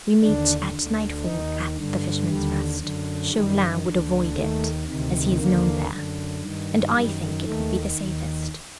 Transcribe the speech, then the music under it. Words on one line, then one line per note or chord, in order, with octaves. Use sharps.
We meet at nightfall at 'The Fisherman's Rest.' Chauvelin would avoid it, as he is known there, and I think it would be the safest.
D#2 D3 D4
D2 D3
D#2 D#3 D#4
G2 D3
D#2 D3 G3
F#2 D3
F#2 D#3 G3
D2 D3
D#2 D#3 A3
D2 C3 D#3
D#2 D3 A#3
F#2 D3
G2 D#3
F#2 D#3 G3
D#2 D#3 A3
D#2
D#3